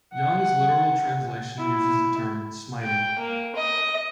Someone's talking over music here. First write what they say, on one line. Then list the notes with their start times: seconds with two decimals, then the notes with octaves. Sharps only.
Young's Literal Translation uses the term "smiting".
0.13 F#5
1.58 E4
2.83 G5
3.19 A#3
3.56 D#5